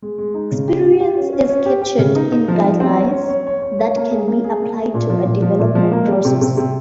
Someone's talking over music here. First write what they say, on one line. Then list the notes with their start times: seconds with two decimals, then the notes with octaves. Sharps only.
Experience is captured in guidelines that can be applied to a development process.
0.02 G#3
0.18 G#3
0.34 D#4
0.52 C#3
0.68 G4
0.84 G4
1.00 G4
1.17 C#4
1.33 C#4
1.49 C#4
1.66 G4
1.82 G4
1.99 C#3
2.15 D#4
2.32 D#4
2.48 F3
2.64 F3
2.80 C4
2.97 C#4
3.13 C#5
3.30 C#5
3.47 C#5
3.62 C#5
3.79 C#5
3.96 A#3
4.11 G#4
4.28 A#3
4.44 G#4
4.60 A#3
4.77 G#4
4.94 A#2
5.10 F3
5.26 A#2
5.42 F3
5.59 A#2
5.75 F3
5.92 A#3
6.08 G3
6.25 C3
6.41 C3
6.57 C3